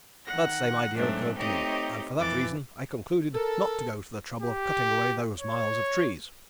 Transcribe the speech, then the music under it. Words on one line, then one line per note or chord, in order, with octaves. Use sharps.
That same idea occurred to me, and for that reason I concluded not to go to the trouble of cutting away those miles of trees.
D#3 F#5 A#6
G#2 F#3 A3 C4 D4
A3 C4 D#4 G4 C#5 D#5
F2 E3 D6 A6
A4 A#4
G4
C#5